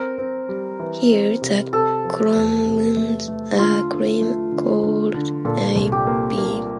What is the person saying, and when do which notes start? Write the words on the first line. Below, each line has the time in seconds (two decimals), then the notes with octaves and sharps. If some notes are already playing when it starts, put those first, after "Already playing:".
Here, the columns are cream colored I-beams.
Already playing: C4 A#4
0.18 C4
0.49 G3
0.80 E3
1.11 C4
1.42 C3
1.73 C3 A4
2.04 F3
2.35 E2
2.66 C3
2.97 A3
3.28 A3
3.59 D3 F4
3.90 D3
4.22 A3
4.52 D3
4.83 D3
5.14 D3
5.45 A#2 A4
5.76 C2
5.92 G4
6.07 A#3
6.38 A#3